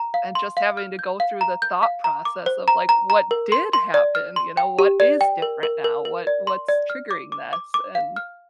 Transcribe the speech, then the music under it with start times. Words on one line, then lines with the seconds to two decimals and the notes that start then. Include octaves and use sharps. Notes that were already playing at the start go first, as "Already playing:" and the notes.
and just having to go through the thought process of, like, "What did happen?" you know, "What is different now? What what's triggering this and"
Already playing: A#5
0.14 F5
0.35 C6
0.57 F5
0.77 F6
0.99 G6
1.20 F5
1.41 A#5
1.62 G6
1.83 F5
2.04 A#5
2.25 D6
2.46 C5
2.68 A#5
2.89 A#5
3.10 A#5
3.31 A#4
3.52 C6
3.73 C6
3.94 D5
4.15 F6
4.36 C6
4.57 G5
4.79 G4
5.00 D5
5.21 G5
5.42 A#4
5.63 A#4
5.84 A#4
6.05 A#4
6.27 D5
6.47 C6
6.69 D5
6.90 F6
7.11 D6
7.32 D6
7.53 D6
7.74 D6
7.95 F5
8.16 F6